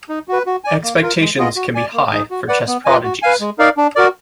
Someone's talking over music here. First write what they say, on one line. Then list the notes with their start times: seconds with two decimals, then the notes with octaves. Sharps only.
Expectations can be high for chess prodigies.
0.09 D#4
0.28 F#4 B4
0.46 F#4
0.64 D5 G#5
0.83 A#3
1.02 F4 A#4
1.20 G#3
1.38 B3 F4 G#4 D#5
1.56 F#4
1.75 D5 G#5
1.93 A#3
2.12 D#4 G#4
2.30 F#4
2.48 B4 D5 F#5
2.67 B3
2.85 F4 B4 D#5 G#5
3.03 F#4
3.22 B4 F5 G#5
3.40 G#3
3.59 D#4 A#4 D5 F5
3.77 D4
3.96 F#4 A#4 D5